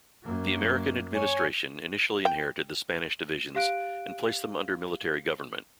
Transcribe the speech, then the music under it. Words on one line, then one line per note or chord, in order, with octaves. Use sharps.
The American administration initially inherited the Spanish divisions and placed them under military government.
F#2 A#3
C#5 G#5
G5
G4 F5 F#6 D7